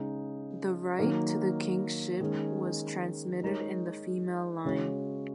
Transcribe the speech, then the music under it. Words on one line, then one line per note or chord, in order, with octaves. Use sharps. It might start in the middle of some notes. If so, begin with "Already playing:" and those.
The right to the kingship was transmitted in the female line.
Already playing: C#3 G#3 D#4
D#3 F#3 A#3 D#4 A#4
D#3 G#3 C#4 G#4
G#3 D#4 A#4 C#5
C#3 G#3 F#4 C#5